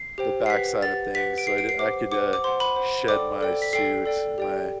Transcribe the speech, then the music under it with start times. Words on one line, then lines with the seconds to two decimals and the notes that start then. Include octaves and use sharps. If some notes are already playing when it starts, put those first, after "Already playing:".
the backside of things, so I d I could, uh, shed my suit and my
Already playing: C7
0.18 G4 C5 G5
0.46 C7
0.50 G4 B4 F#5 B6
0.82 G4 B4 F#5 A6
1.15 G4 B4 F#5 B6
1.38 D7
1.47 G4 B4 F#5 C7
1.58 D7
1.69 C7
1.79 C5 F#5 D6
2.12 C5 F#5 D6
2.33 D6
2.44 C5 F#5 C6
2.60 B5
2.76 C5 F#5
3.08 A4 D5 G5 D6
3.41 A4 D5 G5
3.62 B6
3.73 A4 D5 G5 C7
4.06 A4 D5 G5
4.38 G4 D5 G5